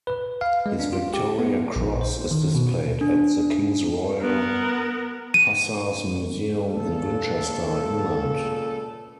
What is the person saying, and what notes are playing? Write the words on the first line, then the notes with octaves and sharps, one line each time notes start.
His Victoria Cross is displayed at The King's Royal Hussars Museum in Winchester, England.
B4
F5
G#3
D4
F4
G4
B3
A#1
C5
D#3
B2
D4
B3 A#4
D#7
C#2 A#2 C#3 A4